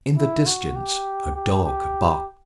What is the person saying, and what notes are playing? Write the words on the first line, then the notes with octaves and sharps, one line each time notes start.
In the distance a dog barked.
E4
F#4
G4
G4
G4